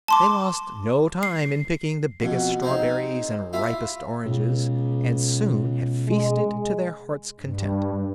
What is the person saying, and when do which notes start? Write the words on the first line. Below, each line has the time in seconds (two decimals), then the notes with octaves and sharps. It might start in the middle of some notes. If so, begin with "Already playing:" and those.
They lost no time in picking the biggest strawberries and ripest oranges and soon had feasted to their hearts' content.
0.08 A5 C6 D6
1.23 C7
2.21 F2 B2
2.62 C4 D#4 G#4
3.53 E4 F4 E5
4.26 C#2 B2
6.08 G#3
7.40 G2